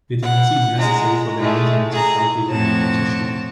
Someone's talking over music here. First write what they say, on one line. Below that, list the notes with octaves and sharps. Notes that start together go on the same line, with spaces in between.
Vitamin C is necessary for the maintenance of healthy connective tissue.
F#5
G#3 A#5
G#3 A3
G#4 A#5
F2 A2 C4 F#4 C#5 A5